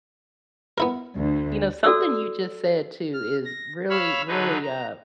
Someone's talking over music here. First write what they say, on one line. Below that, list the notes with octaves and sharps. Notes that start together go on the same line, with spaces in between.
you know, something you just said too is really, really a
B3 E4 A#4
D2
F#4 A4 D5 E6
F6
A#6
C#5 F5 B5 E6 F6
D3 F#3 D#4 G#4 B4
A#5